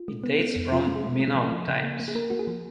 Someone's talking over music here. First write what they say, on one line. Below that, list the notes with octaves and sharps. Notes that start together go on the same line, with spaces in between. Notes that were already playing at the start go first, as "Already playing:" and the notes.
It dates from Minoan times.
Already playing: F4
G#3
B3
B3
F2
F3 F4
G#3
G#4
G#3
G#3
F3
F3
C#3
A#3
A#3
G#4
A#3 A#4
A#3 F#4
G#4
F3